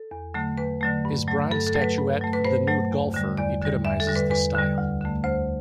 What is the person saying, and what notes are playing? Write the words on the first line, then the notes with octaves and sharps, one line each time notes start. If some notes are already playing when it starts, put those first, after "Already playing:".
His bronze statuette "The Nude Golfer" epitomizes this style.
Already playing: A4
E2
D3 F#3 A3
E2 B4
D3 F#3 A3
G2
F#3 A3
G2 A4
A4
F#3 A3
B4
G2
F#3 A3
B4
G2 C5
F#3 A3
E2
D3 G3
E2 D5
D3 G3
E2 E5
A4
D3 G3
B4
E2 B4
D3 G3
D2
D3 A3
D2 C5